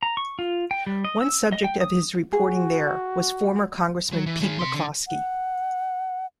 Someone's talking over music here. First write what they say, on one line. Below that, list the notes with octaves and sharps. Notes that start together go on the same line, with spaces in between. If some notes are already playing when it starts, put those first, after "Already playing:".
One subject of his reporting there was former Congressman Pete McCloskey.
A#5
C#6
F4
G5
G3
D#5
E6
D#5
G5
D#6
F#4 G#4
F#3
E3
D#3 G#4
C3 C6
D3
F#5